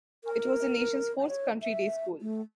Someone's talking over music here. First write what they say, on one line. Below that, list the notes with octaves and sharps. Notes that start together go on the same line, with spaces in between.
It was the nation's fourth country day school.
A#4
C#5
E5
A3